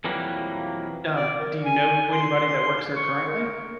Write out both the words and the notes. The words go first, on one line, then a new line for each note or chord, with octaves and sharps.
Um, do you know anybody that works there currently?
F2 B2 E3 F#3 G3 A#3
D5
A#4
G#5
C6
C#6
A#4